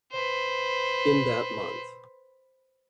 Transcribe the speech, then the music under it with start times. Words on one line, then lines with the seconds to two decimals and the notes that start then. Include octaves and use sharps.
In that month.
0.12 B4 C5